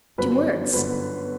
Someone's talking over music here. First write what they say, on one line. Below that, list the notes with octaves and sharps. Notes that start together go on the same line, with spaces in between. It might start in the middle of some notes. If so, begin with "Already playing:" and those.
"Two words?"
G1 F#2 D3 F#3 B3 B4
C#5
G1 F#2 D3 F#3 B3 B4